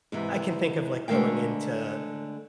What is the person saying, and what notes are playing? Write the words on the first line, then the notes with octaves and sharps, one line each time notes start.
I can think of, like, going into
G#2 C3 E3
D3 G#3 A3 A#4 F5 G5